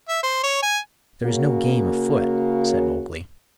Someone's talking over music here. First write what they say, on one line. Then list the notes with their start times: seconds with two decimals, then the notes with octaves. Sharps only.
"There is no game afoot," said Mowgli.
0.09 E5
0.23 C5
0.43 C#5
0.62 G#5
1.24 C#3 A#3 F#4